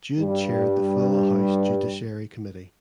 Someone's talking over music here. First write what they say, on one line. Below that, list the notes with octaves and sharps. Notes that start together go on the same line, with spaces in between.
Jude chaired the full House Judiciary Committee.
G2 G3